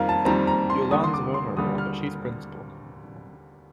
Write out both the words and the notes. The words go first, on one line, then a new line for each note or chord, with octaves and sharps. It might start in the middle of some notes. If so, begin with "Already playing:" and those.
Yolande's vulnerable, but she's principled.
Already playing: F2 D#3 G3 C4 A#4 F5
A5
F2 D#3 G3 C4 A#5
A#5
C6
D#2 D3 G3 D#6
C6
D6
C6
D#2 D3 G3 D#6
F6